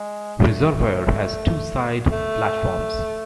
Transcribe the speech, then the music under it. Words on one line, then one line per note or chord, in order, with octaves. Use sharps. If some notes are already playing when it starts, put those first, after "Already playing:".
Reservoir has two side platforms.
Already playing: G#3
A3
A3